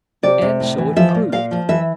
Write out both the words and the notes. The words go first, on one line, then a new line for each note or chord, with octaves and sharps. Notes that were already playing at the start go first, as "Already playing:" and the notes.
And so it proved.
C3 D5
C3
A2
E3
F3 E5
A#2
A#2 F5
F3
E3 E5